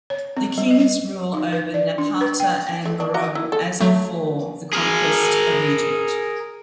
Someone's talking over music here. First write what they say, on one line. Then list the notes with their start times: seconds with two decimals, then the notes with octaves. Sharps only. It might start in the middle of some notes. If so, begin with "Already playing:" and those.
The Kings rule over Napata and Meroe as before the conquest of Egypt.
0.10 C#5
0.37 C4
0.58 G3
0.70 D#5
1.34 D#4
1.53 B4
1.74 D5
1.98 D4
2.21 B4
2.40 G5
2.85 A3
3.00 D4
3.14 F#4 D#5 A#5
3.35 E4
3.52 A4
3.80 F#3 A3
4.73 G#4 A#4